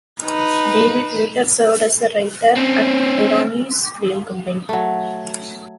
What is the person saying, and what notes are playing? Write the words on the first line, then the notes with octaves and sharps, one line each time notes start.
David later served as a writer at Irani's film company.
D#4 B4
C4 C#4
F#3 A3